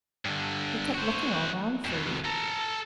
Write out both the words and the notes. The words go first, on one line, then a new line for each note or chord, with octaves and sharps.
"We kept looking all round for you."
G2 D3
F#4 C5
F2 B2
A4 A#5